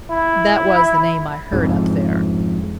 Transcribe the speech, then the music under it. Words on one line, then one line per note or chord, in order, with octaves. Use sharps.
That was the name I heard up there.
E4
F2 G#2